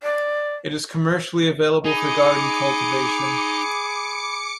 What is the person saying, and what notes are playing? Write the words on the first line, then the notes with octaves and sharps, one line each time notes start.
It is commercially available for garden cultivation.
D5
D#4 G#4 B5 D6 C#7